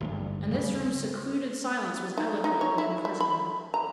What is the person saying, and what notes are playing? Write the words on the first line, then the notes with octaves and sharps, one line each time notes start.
And this room's secluded silence was eloquent of imprisonment!
G#1 D2 G2
D#1 C#3 G3
D#4
D#4
C#5
E4
E4
B5
A#5